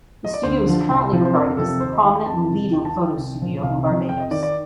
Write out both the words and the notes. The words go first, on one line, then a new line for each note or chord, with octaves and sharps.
The studio is currently regarded as the prominent and leading photo studio in Barbados.
D#5
D5
D2 C5
D3 F3
C2
C3 F3
C5
F2 A#4
C3 F3 A4
D#2 C5
D#5
D#3 F5
G5
F2 A5
C3 D#3
D#2 G5
A5
D#3 G5
C2
A#2 F3
C2 F5
C3 F3
F2 G5
D#5
D#3 D5
D5